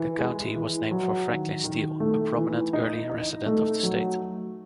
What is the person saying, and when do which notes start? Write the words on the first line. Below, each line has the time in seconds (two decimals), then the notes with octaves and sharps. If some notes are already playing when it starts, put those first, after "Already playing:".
The county was named for Franklin Steele, a prominent early resident of the state.
Already playing: E3
0.19 G#3
0.55 E3
0.91 F#3
1.28 D#3
1.64 D#3
2.00 A3
2.37 E3
2.73 D#4
3.10 D#4
3.46 A3
3.83 F#3